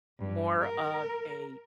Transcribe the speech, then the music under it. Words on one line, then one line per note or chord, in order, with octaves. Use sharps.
more of a,
G2
A#4